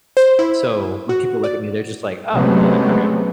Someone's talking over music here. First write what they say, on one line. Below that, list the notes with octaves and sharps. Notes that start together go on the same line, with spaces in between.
so when people look at me, they're just like, "Oh," and they're like, "Okay,"
C5
E4
F#4
D5
C3 F#3 G#3 A3 B3 C#4